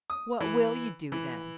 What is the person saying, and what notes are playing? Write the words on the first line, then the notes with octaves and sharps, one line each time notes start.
'What will you do then?
D#6
E3
E3